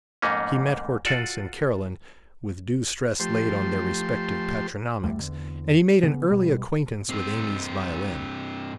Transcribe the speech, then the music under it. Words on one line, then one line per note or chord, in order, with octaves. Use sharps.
He met Hortense and Carolyn--with due stress laid on their respective patronymics--and he made an early acquaintance with Amy's violin.
F2 G#2 A3 A#3 C#4
F4 F#4 A4 D5
F3 A3 G4 C5 C6
C#2 F#2 G3 A3
E2 D3
C#3 B3
D1 B2 G3
G2 C4